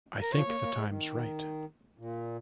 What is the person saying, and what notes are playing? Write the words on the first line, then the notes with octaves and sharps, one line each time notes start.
I think the time's right.
A#4
F3 C#5
A#3
A#3
G#3
D#3
A#2